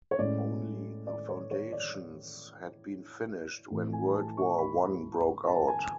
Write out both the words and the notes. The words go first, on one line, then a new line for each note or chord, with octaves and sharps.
Only the foundations had been finished when World War One broke out.
C#5
A2 G#3 C#4 D5
D5
C#5
C#5
D5
A2 E3 A3
G#5
A5
C#6
B5
A5
G#5